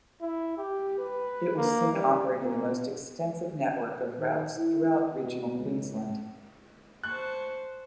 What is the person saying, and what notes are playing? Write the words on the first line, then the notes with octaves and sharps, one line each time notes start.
It was soon operating the most extensive network of routes throughout regional Queensland.
E4
G4
B4
A#3
G3
A#2
D#3
E4
B2
C#2
C5 A5 C#6 F#6